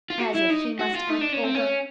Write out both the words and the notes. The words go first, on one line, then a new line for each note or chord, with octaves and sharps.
'As if he must act Ogre.
F4
F#4
E4
D#4
F#4
F4
D#4
D4
C#4
C4
C#4